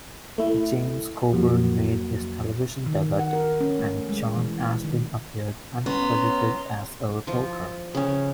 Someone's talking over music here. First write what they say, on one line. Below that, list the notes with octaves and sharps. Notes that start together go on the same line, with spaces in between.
James Coburn made his television debut, and John Astin appeared uncredited as a reporter.
A3 E4
F2 F#3 A#3
D#3
F#5
A#4
C#4
A3
G#3
E3
D#3
B3 C#4 A#5 C6
F3 F4
C#3 C#4